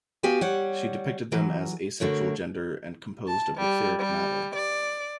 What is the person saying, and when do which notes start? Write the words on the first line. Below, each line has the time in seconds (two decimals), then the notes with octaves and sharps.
She depicted them as asexual gender, and composed of "etheric" matter.
0.23 B3 F#4 G4 F5 G5 G#5
0.41 G3 C#5 F#5
1.32 E3 F#3
2.00 D3 A3 F#4 A#4 C#5
3.27 A5
3.57 G3
4.00 G3
4.54 D5